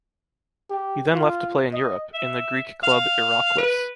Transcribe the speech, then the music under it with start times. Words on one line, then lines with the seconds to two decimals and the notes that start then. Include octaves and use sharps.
He then left to play in Europe, in the Greek club Iraklis.
0.70 G4
1.14 F4
1.73 D#5
2.14 E5
2.83 F5
3.58 B4